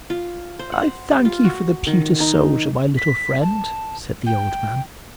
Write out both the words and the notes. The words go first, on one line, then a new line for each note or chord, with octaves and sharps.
"I thank you for the pewter soldier, my little friend!" said the old man.
F4
C5
F#5
G3
F4
F#4
D#3
D#4
B6
A5
G5